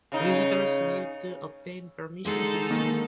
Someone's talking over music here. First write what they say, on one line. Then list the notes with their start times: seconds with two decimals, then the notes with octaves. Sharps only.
Visitors need to obtain permission to visit.
0.12 C#3 D#4
2.25 D3 G#3 D#4 A4 C5
2.71 D#3 A#3